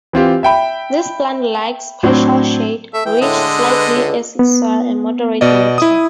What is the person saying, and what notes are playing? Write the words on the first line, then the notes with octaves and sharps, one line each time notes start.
This plant likes partial shade, rich, slightly acid soil and moderate water.
E3 C4 F4 G4
E5 G5 B5
A2 F#3 C4 D4
A3 E5
E3 G5
A2 D3 G#3 D#5
B4
C#2
B3
B2 D5 D#5
E4 D#6